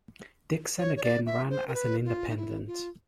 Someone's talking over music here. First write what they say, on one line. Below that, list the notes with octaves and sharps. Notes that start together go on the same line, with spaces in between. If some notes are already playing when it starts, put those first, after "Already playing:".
Dixon again ran as an independent.
C#5
C#5
D5
E5
C5
A#4
B4
F4
D#4
E4
F4